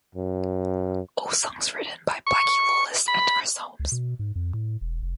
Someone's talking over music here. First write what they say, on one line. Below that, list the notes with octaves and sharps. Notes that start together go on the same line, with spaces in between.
All songs written by Blackie Lawless and Chris Holmes.
F#2
C#6
B5
C#2
B2
G#2
F2
A2
E1
F1